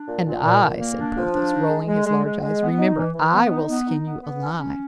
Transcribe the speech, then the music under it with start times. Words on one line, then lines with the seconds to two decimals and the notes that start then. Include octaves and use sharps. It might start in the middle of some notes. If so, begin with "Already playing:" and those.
"And I," said Porthos, rolling his large eyes, "remember, I will skin you alive."
Already playing: D4
0.08 A#2
0.26 A#2
0.43 A#2
0.63 A#2
0.80 A#3
0.98 D4
1.16 F3
1.34 D4
1.52 D#4
1.70 G#3
1.88 G#3
2.06 G#3
2.25 G#3
2.42 G#3
2.60 B3
2.78 D#4
2.97 E3
3.14 E3
3.33 B3
3.51 D#4
3.69 B3
3.87 D#4
4.05 B3
4.23 B3
4.41 C#4
4.59 C#4